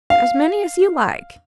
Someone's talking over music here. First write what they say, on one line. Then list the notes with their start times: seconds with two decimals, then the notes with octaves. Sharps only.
"As many as you like."
0.10 F5